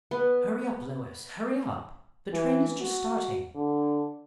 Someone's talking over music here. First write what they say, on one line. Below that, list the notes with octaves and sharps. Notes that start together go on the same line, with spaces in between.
Hurry up, Lois; hurry up! the train is just starting!'
B3
E3
F#4
D3